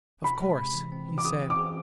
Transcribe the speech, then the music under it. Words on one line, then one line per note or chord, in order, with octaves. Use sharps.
"Of course," he said.
C3 B5
G#3
C3
E3
C4
E3
D6
G#4 D#6
C4
D6
G#4